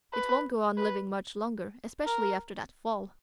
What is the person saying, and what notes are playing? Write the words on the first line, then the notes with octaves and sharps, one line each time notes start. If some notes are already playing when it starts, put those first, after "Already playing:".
It won't go on living much longer, especially after that fall.
B4
B4
A#4